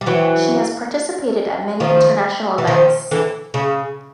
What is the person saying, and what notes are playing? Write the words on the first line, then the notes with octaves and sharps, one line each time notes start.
She has participated at many international events.
G3
E3 F#3
D#3 F3
E3
D#3 F3
D3 E3
C#3